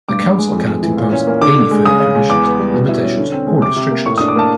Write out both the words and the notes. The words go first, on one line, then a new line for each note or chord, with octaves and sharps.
The council cannot impose any further conditions, limitations or restrictions.
G2 D6
G2
G#3
F2
G#3
E3
A#2
C#4
A#3
D3 D6
D3
G#3
C#3 D#6
C#3
G#3
E2 D6
B3
G3
B2
E4
C#4
D3
C4
G#3
C3 D6
C3
A#3
A2 C#6
D#6
D4
D6
A#3 A5